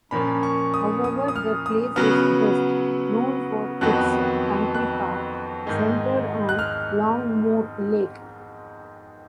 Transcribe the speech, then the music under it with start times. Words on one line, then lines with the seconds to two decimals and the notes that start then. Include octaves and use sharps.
However, the place is best known for its Country Park, centred on Longmoor Lake.
0.11 A#2 F3 A#3 C#4 B5
0.43 C#6
0.74 D#6
1.04 D#6
1.28 D#6
1.36 F6
1.66 D#6
1.96 C#3 F#3 B3 F6
3.81 F2 D#3 F#3 B3 F#6
4.75 F#6
5.67 G#2 D#3 G#3 D#4
6.49 F#6
6.59 F6